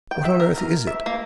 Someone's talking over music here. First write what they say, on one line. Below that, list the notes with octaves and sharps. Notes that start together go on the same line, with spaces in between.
"What on earth is it?"
G5
E5
A#4
A#4
E5
A#3